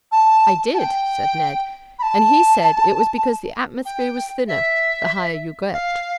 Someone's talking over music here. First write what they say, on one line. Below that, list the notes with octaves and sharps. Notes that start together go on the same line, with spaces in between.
"I did," said Ned, "and he said it was because the atmosphere was thinner, the higher you get."
A5
A5
G5
B5
A5
G5
E5
F5